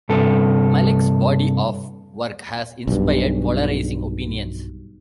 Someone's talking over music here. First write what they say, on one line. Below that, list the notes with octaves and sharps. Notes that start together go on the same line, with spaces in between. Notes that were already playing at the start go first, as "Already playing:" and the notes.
Malick's body of work has inspired polarizing opinions.
G2 C3 A4
B1 G2